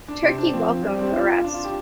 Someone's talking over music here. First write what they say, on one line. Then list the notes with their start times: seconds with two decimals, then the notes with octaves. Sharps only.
Turkey welcomed arrests.
0.08 D4
0.23 C3 C4
0.38 D4
0.53 F3 C4
0.83 G3 D4
0.99 C4
1.14 D4 F4
1.44 D4
1.54 F4
1.65 G4